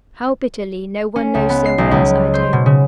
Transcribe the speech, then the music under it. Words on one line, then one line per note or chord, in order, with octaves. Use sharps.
How bitterly no one knows so well as I do.
C#4
C#2
B3
C7
B1
C#2
C5
B2
C#3